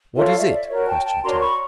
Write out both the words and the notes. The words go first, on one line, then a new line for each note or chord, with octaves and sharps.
"What is it?" questioned Tad.
F4 A4 C#5 E5
F5
D5 E5
F#4 A#4 C#5
G5 A5
G5 A5
D4 F#4 A#4 C#5 A#5 C6
B5 C#6